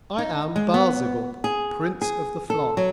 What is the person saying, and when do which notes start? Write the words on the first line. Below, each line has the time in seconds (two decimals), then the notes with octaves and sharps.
I am Baal-Zebub, Prince of the Fly.
0.18 D#4
0.56 G#3
0.74 B3
1.44 G#4
2.02 G#4
2.50 A4
2.77 F#3